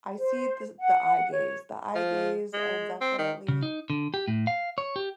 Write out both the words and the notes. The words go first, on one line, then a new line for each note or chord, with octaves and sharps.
I see the s the eye gaze. The eye gaze and definitely
C5
F#5
C#5
F3
G#3
C4
D#3
C#3
D#4
D3
G4
A2
F5
C#5
G4